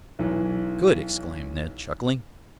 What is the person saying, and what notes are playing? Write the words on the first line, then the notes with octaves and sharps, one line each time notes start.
"Good!" exclaimed Ned, chuckling.
B1 E3